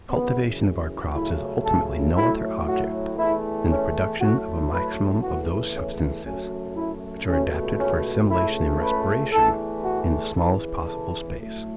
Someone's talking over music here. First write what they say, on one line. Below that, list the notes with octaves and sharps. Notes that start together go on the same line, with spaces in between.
The cultivation of our crops has ultimately no other object than the production of a maximum of those substances which are adapted for assimilation and respiration, in the smallest possible space.
F#2 C#3 E3 B3
C#2 C#3 F#3 A3 E4
A4
A2 F#3 A3 E4
F#4
E2 E3 A3 E4
C#4
A2 F#3 A3 F#4
B4
E2 C#3 E3 A3 F#4
C#4
F#2 F#3 A3 C#4
E4
C#2 B2 A3 C#4
C#4
C#2 C#3 A3 E4
B4
E2 E3 A3 A4
F#4
E2 C#3 E3 A4
A4
A2 F#3 A3